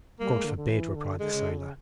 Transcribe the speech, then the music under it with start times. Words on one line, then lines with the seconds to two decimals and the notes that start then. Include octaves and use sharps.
"God forbid!" replied the sailor.
0.20 G3 A#3
0.32 G#3
0.44 D3
0.57 D3
0.70 E3
0.95 D3
1.20 D3 G#3
1.33 C#3
1.45 D3
1.57 C#3